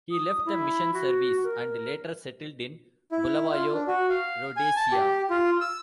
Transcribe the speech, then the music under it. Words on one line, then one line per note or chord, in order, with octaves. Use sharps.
He left the mission service and later settled in Bulawayo, Rhodesia.
D#6
E4
F#4
A#4
E4
F4
D4
F#4
F5
G#5
A5
G4
F4
E6